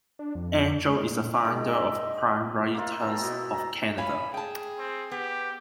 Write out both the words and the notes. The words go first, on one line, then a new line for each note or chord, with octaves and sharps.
Engel is a founder of Crime Writers of Canada.
D4
F2
G#3
A#2
D#3 G#3
D#5 E5
A#3 E4 F4
A#3 C4 A4
B2 B3
A#5
C#5 F5 G#5 B5
G#4 G5 A5
C4
B3 G4